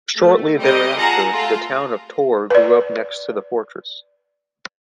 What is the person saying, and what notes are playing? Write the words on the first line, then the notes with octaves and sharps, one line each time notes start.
Shortly thereafter, the town of Tor grew up next to the fortress.
A3
G3 C4 G4 A#4 D#5
F4 G#4 F#5 A5 A#5
A3 F4
B4 D5